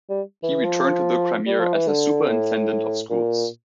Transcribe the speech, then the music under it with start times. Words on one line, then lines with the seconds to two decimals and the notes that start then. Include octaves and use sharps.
He returned to the Crimea as a superintendent of schools.
0.09 G3
0.43 E3
0.65 F3
1.47 G3
1.59 F3
1.74 E3
1.87 D3
2.28 A2
3.10 A#2